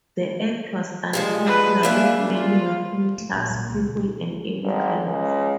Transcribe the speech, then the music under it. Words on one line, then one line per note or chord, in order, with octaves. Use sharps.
The act was unpopular with many working class people and immigrants.
G2 F3 G#3
B4
C#3 A#3 D4 E5
F4
A3
A#1
A#2
C#2
B2
G#1
C#2